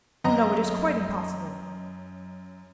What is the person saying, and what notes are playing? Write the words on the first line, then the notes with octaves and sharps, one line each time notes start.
Oh, no, it is quite impossible.'
F#2 D#5 A#5